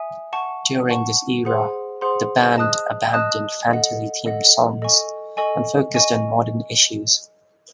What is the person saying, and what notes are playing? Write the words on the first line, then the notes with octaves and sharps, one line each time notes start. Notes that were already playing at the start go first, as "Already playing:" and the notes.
During this era, the band abandoned fantasy themed songs and focused on modern issues.
Already playing: E5 G#5 D#6
F#5 A5 C#6
F#5 A5 C#6
G#4 C5 F#5 C6
G#4 C5 F#5 C6
D#5 A5 D#6 F#6
D#5 A5 D#6 F#6
A4 D#5 F#5
A4 D#5 F#5
A4 D#5 G#5 C#6
A4 D#5 G#5 C#6
D#5 G#5 C#6